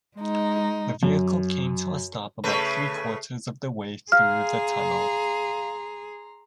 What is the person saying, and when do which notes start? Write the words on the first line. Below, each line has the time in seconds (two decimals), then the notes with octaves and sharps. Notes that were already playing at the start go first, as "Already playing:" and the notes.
The vehicle came to a stop about three-quarters of the way through the tunnel.
0.17 G#3 D#4
1.03 F#2
2.44 C#3 A3 B4
4.12 G#4 F5 A#5 C6 F6